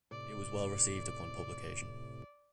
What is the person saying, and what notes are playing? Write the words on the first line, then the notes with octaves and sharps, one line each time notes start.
It was well received upon publication.
A2 C3 D5